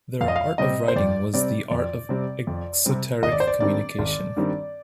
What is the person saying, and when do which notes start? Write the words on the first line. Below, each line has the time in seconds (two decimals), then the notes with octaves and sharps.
Their "art of writing" was the art of "exoteric" communication.
0.21 F2 F5
0.28 D#5
0.36 F5
0.58 C3 G3 C4 D#5
0.88 C5
0.96 F2 D5
1.33 C3 G3 C4 D5
1.71 F2 D5
2.09 C3 G3 C4
2.47 F2
2.86 C3 G3 C4
3.23 G#1 D#5
3.32 D5
3.40 C5
3.47 D5
3.60 G2 D#3 G3 C4 D5
3.99 G#1
4.36 G2 D#3 G3 C4